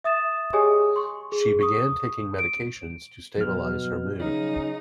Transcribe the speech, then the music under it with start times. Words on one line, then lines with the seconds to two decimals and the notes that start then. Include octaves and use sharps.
She began taking medications to stabilize her mood.
0.04 E5 D#6 A6 E7
0.53 G4 G#4 C#5 D#5 G#5 D#6
0.96 C6 C#6
1.32 G#4
1.61 C#6 D#6
2.39 D7
3.38 B2 F#3 F6
4.19 C#3 D#4